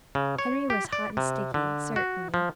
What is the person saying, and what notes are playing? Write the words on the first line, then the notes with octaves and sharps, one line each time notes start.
Henry was hot and sticky, certainly.
C#3
C#5
G4
D5
C3
D3
F#4
F3